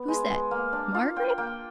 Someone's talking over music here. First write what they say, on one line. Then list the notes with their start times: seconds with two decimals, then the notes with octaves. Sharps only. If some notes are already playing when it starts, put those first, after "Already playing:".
Who's that,--Margaret?
Already playing: B3
0.08 G#3
0.30 G#3
0.51 A#3 F5
0.73 D4
0.95 F4
1.16 F4 G5
1.38 A#3 G5